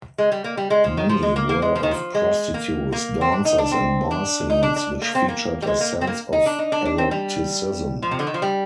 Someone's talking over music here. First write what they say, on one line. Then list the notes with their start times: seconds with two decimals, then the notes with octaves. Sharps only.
Many were of prostitutes, dancers and bar scenes, which featured a sense of eroticism.
0.18 G#3
0.32 G3
0.44 A#3
0.57 G3
0.70 G#3
0.84 F3
0.97 D#3
1.09 F3
1.23 G#3
1.36 A#3
1.49 A#3
1.62 G#3
1.76 F3
1.83 D#3
1.91 F3
2.14 G#3
2.54 A#3
2.92 A#3
3.21 C4
3.32 D4
3.45 D#4
3.58 D4
3.71 C4
4.11 D4
4.50 D#4
4.63 D4
4.76 D4
5.02 A#3
5.15 C4
5.28 A#3
5.62 G3
5.67 G#3
5.81 A#3
6.01 C4
6.07 A#3
6.32 D#4
6.46 D4
6.59 D#4
6.72 D4
6.85 D4
6.98 C4
7.11 G3
8.02 F3
8.11 C3
8.19 D3
8.27 D#3
8.34 F3
8.42 G3